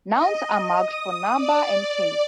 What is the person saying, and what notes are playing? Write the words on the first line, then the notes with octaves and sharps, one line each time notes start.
Nouns are marked for number and case.
D#5
D#6
D5